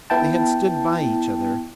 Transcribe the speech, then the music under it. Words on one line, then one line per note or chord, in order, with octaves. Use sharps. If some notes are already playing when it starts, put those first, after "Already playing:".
They had stood by each other.
B3 E4 G5 A5